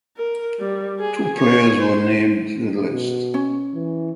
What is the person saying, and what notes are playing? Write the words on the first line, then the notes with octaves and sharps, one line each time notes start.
Two players were named to the list.
A#4
G3
G#4
C#5
C5
B2
C#4
E3